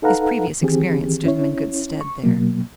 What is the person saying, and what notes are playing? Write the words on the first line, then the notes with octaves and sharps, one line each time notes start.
His previous experience stood him in good stead there.
D#4 A4 B4 F5 F#5 A#5
D#3 E3 C4 G4 G#4
C#4 E4 C#5
C#6
B2 F#3 A#3